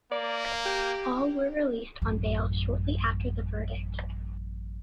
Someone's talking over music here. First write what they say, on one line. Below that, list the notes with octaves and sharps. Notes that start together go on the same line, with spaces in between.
All were released on bail shortly after the verdict.
A#3 D5
G4
A1 F#2